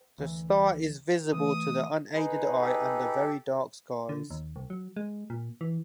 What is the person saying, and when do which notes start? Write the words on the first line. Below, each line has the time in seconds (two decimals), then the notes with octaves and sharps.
The star is visible to the unaided eye under very dark skies.
0.18 D2 E3
1.34 E3 A3 D#6
2.14 D#4 G#4 B4
2.61 G4 A4
4.09 D3
4.30 D#2
4.56 C2
4.70 F#3
4.96 G#3
5.30 A#2
5.61 E3